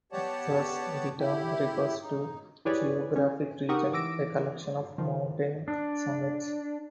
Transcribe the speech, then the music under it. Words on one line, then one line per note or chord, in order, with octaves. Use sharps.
Thus the term refers to a geographic region; a collection of mountain summits.
B3 G4 C#5 D5 F#5 A5
E4 G4
D#4
E4 G4 G#4 B4 C#5 D5
C#4
D#4 G4 A#4 F#5 C#6 D#6
E3 D6 E6 A#6 D7
D#3 F3
D4